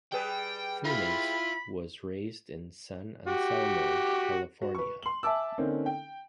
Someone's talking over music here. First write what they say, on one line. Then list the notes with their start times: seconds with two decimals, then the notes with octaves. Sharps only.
Thunes was raised in San Anselmo, California.
0.12 G3 G#4 B4 G5
0.85 E4 F4 B5
3.27 F#4 G4
4.62 F#4
4.75 B4 C#6
5.03 C6 F#7
5.23 E5 G#5 A5 D6 E6
5.58 D3 A#3 C4 C#4 D#4
5.86 G5